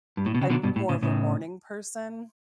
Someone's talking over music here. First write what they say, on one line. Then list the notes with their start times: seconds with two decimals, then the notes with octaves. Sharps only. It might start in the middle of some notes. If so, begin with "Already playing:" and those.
I'm more of a morning person
0.17 G2
0.26 A2
0.35 B2
0.41 C#3
0.50 B2 D3
0.63 G2 B2
0.76 A2
0.89 A2 C#3
1.02 A2 C#3